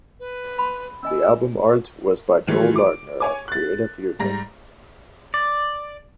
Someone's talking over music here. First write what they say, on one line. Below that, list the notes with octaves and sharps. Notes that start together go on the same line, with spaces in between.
The album art was by Joel Lardner at Creative Union.
B4
B5 C6
C#4 D#5 G#5 E6
D#3 E3 F#3 G#3 A3
D6 D7
C#5 G#5 D6
F#6 A6
G#2 G3 A#5 A#6
D5